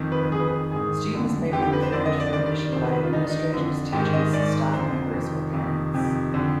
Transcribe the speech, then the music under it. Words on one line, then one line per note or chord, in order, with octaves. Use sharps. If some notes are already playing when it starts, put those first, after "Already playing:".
Students may be referred for admission by administrators, teachers, staff members or parents.
Already playing: F2 D#3
B4
F2 D#3 G#4 B4
G#4
G#2 D#3 G#4
F2 D3
F2 D3 G4
G4
B4
C5
F2 D3 D5
D#5
D5
G2 D#3 D5
D5
D5
F2 C3 D#3 C5
B4
B4
F4
G2 D#3 D#4
D4
D#4
F2 D3
G#2 D#3 G4
D#5
G#2 D#3 D5
F2 D3 C5
F2 C3 D#3
F2 C3 D#3
F2 C3 D#3
F2 D3